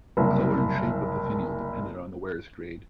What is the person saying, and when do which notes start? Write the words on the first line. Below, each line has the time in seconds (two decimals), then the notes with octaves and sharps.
The colour and shape of the finial depended on the wearer's grade.
0.17 F#1 C2